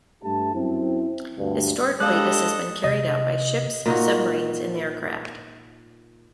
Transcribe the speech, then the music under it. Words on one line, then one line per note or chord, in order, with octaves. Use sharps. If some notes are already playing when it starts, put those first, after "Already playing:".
Historically this has been carried out by ships, submarines and aircraft.
G2 A3 G4 A5
F#2 C4 E4
D2 G2
D3 G3 G#3 A4 D#5 F5 D#6 F#6
C3 D#5
A#2 D#4 F#4